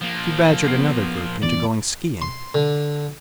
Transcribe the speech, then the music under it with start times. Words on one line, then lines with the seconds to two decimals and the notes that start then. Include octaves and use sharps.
She badgered another group into going skiing.
0.02 F3 A#3
0.66 B3 C7
1.42 E2 D5
2.22 C6
2.55 D3